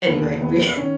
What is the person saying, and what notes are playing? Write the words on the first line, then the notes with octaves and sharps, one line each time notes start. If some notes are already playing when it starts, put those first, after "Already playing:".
Anyway, we
E1 D#2 D#3 B3
B3
B3
D#3 C#4